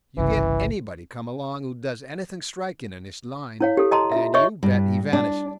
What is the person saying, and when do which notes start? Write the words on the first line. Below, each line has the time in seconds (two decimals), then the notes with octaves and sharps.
You get anybody come along who does anything striking in this line, and, you bet, he vanishes.
0.18 G1 C2 C#3 E3
3.61 E4 C#5 F5
3.77 G4 A4
3.91 D#5 A5 A#5 C6
4.12 F4 E5
4.34 C#5 D#5 E5 C#6
4.63 G2
5.13 D4